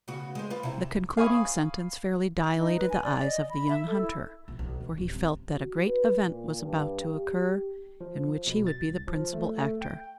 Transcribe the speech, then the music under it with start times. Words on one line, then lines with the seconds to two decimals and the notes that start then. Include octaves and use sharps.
The concluding sentence fairly dilated the eyes of the young hunter, for he felt that a great event was about to occur, in which he would be the principal actor.
0.08 C#3 B3 F#4
0.35 G#3 C5
0.50 F4 B4
0.63 C3 E4
1.17 F5 G#5 B5 C#6 D#6
2.57 D#4
2.77 B4
2.90 G#5
3.03 D5
3.26 D#5
3.50 B5
3.69 E5
3.87 A4
4.02 E4
4.48 A#1
4.59 B1
4.81 D#3
4.98 D#1
5.15 C4
5.53 F#4
5.86 B4
6.22 A#2
6.61 G2
7.03 G4
8.01 F3
8.47 B2
8.67 A6
8.89 C2
9.07 F3
9.33 A3
9.57 A3
9.81 G5